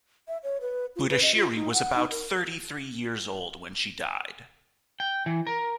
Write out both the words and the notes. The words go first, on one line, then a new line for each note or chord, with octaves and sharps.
Budashiri was about thirty-three years old when she died.
E5
C#5
B4
F4
B4
D#5
F4
D#4
F#5
D#4
A#4
G5
E3
A#4